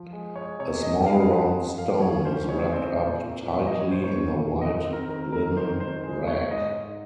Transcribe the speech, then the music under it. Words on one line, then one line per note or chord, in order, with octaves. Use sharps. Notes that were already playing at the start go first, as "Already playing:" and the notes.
A small round stone is wrapped up tightly in a white linen rag.
Already playing: F3
G#3
G#3 C#5
C3 C#5
G#2 D#5
G#3 F5
F3 F#5
F3
F3 F5
F3 C#5
C#4 C5
G#3 C#5
C4 C5
A#2
C4
A#2
F3 D#5
C#5
A#2 C5
C#5
A#2
A#2
D#3 D#5
D#5
C4
A#4
D#3 A#4
C4 A#4
D#3 C5
D#3 C5
G#3 C5
G#3 C#5
G#2 D#5
G#2